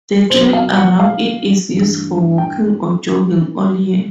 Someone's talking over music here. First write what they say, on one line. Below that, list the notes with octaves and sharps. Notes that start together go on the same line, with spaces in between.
The trail around it is used for walking or jogging all year.
B2 F#3 A#3 C5
F5
F#5
F5
G2 E3 A3 D4
G5